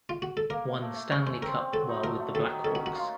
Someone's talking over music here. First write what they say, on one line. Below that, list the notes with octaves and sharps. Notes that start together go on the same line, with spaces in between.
Won Stanley Cup while with the Blackhawks.
F4
F#4
A4
A#3 A#4
A#3
A3
A3
C#4 C#5
C#4 C5
C4 A#4
C4
F#3 A4
D#4
A3 A#4
A3
D#3 A4
D#3
C#4 A4
F#4
C#4
F#4
F4